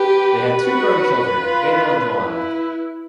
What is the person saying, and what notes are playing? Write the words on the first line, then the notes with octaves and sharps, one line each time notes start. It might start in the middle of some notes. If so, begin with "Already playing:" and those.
They have two grown children, Daniel and Joanna.
Already playing: G4 B4
F#4
F4
E4